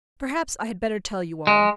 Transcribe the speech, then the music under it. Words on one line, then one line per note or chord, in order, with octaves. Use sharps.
Perhaps I had better tell you all.
G#3